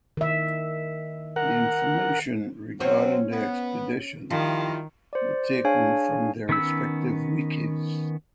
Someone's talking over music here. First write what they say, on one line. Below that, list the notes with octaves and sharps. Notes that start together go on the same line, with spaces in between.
The information regarding the expeditions were taken from their respective wikis.
D#3 E5
A#4 F#5
F#3 C4 C#4 C5 C#5
B3
D#3 F3 G3 E4 F4
C5 D5
D4 G#4 C#5 F5 G#5
D#3 B3 C#4 B5 E6